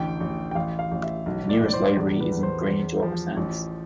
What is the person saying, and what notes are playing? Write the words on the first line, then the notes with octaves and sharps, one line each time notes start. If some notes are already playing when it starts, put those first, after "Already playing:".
The nearest library is in Grange-over-Sands.
Already playing: A1 D2 G5
A1
G5
A1 F5
F5
A1
E5
B1
D5
A2
D5
C5
C5
E2 D5
B4
E2
C5
E2
F3
A1